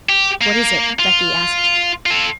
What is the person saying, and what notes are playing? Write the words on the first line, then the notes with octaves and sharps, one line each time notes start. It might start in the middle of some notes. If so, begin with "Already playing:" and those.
'What is it?' Becky asked.
G4
A#3
F4
F4 A4